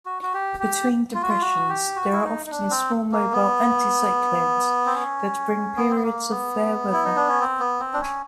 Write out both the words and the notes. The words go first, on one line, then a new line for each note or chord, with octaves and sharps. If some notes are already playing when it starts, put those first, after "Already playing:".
Between depressions there are often small mobile anticyclones that bring periods of fair weather.
F#4
F#4
G4
G4
F4
F#4
F4
F#4
G4
F#4
E4
D#4
D#4
D4
C4
A#3
B3
C4
C#4
B3
C4
B3
A#3
B3
E4
D#4
D4
C#4
C4
B3
C4
D4
C#4